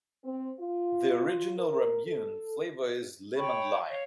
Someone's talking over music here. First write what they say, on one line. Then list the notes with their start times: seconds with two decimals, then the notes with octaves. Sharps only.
The original ramune flavor is lemon-lime.
0.23 C4
0.58 F4
1.56 A#4
2.05 A4
3.36 C#5 G5 B5 C#6
3.87 C#5 F5